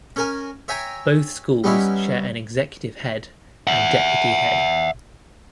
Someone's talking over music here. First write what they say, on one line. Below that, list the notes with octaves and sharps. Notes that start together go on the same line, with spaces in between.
Both schools share an executive head and deputy head.
C#4 A#4 G#5
C#5 E5 G5 G#5 A#5 C#6
G3 B3 C#4 D#4 E4
E5 F#5